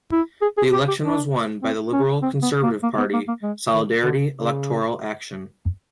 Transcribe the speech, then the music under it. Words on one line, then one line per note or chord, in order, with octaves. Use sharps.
The election was won by the liberal conservative party Solidarity Electoral Action.
E4
G#4
G#4
G4
G4
D4
C4
C#4
C4
B3
A#3
A#3
B3
A#3
A#3
G#3
D#3
D3
C#3